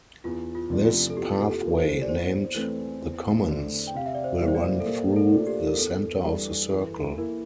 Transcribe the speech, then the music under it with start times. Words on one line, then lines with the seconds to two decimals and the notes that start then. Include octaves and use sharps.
This pathway, named the Commons, will run through the centre of the circle.
0.24 E2 F4
0.55 F4
0.70 C3 F3 A3 D4
0.85 F4
1.10 A4
1.16 E2 G4
1.40 G4
1.48 A4
1.62 E3 A#3 F4
1.78 C5
2.02 D5
2.09 E2 C5
2.55 E3 A3 C4
3.02 E2
3.47 D3 A3 D4
3.87 G5
3.94 C3 F5
4.06 E5
4.15 D5
4.24 C5
4.40 G3 A#3 E4
4.48 C5
4.55 D5
4.80 A4
4.86 A#2 A#4
5.16 A4
5.32 A3 D4 F4
5.47 G4
5.67 A#4
5.78 E2 A4
6.23 E3 G3 D4
6.70 E3
7.17 A#3 E4